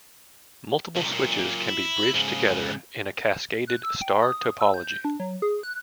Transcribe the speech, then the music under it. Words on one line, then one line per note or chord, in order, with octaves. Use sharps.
Multiple switches can be bridged together in a cascaded star topology.
C2 A#2
F#2 A#2
E4
G#2 C#3
F#6
E6
G5
D#6
E6
G6
D4
F#3
G#4
F#6